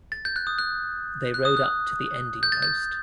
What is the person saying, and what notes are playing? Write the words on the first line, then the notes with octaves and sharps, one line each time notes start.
They rode up to the ending post.
A6
G6
F#6
D#6
F#6
F#6
D#6
F#6
G6
A6
G6